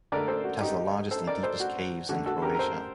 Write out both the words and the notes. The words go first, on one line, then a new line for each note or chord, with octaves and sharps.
It has the largest and deepest caves in Croatia.
D3 A3 A#4 D5
A4 C5
F#4
D#4 G4
A4 C5
A#4 D5
A4 C5
F#4
D3 A3 F#4
F#4 A4
G4 A#4
A#4
A4 C5